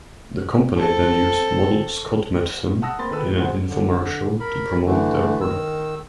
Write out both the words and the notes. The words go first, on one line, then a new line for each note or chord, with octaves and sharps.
The company then used model Scott Madsen in an infomercial to promote their product.
C4 A4
F#5 A5 D#6 E6 A#6
A#3 C4 B5 C6 A6
D#3 A4 B4 E6
A2
F2 F#4 G#4 C5 F#5
D3
A#4 B5
D3 E3 A3
D#3 E6